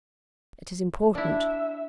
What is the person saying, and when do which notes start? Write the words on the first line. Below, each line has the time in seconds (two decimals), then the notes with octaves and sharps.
It is important.
1.15 D4 E4 E5